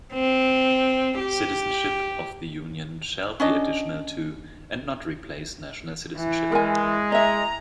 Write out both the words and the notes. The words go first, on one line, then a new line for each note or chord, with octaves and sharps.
Citizenship of the Union shall be additional to and not replace national citizenship.
C4
G4
C#4 D4 D#5
E3
G#3 A#4 G#5
D#5 E5 A#5